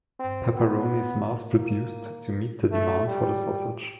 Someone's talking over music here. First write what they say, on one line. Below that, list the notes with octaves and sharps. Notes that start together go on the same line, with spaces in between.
Pepperoni is mass-produced to meet the demand for the sausage.
C4
B3
A#3
A3
G3